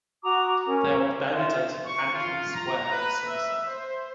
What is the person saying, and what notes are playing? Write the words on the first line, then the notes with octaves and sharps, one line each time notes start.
They are buried at Ankeny Square in Somerset.
F#4 A#5 D6 D#6
C#4 A#4
C5
F4 E5 C6 D#6
C#6
F4
A#5
B4
E5
C5